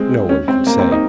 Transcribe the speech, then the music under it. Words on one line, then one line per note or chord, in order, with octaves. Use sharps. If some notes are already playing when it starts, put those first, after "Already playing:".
No one could say.
Already playing: G#3 C4
C#4
C4
A#3
C4
D#4